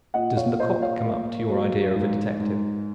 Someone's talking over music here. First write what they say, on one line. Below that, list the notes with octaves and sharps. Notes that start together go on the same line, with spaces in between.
"Does Lecoq come up to your idea of a detective?"
A#2 D#5 F#5
C#5 F5
A#2 C5 D#5
C#5 F5
A#3
F#3
G#2
G#2